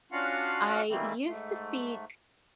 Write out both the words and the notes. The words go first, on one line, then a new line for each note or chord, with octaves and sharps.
I used to speak
C#4 D4 F4 F#4 F5 F#5
D#3 E3 G3 A3 A#3 C4
G#2 A3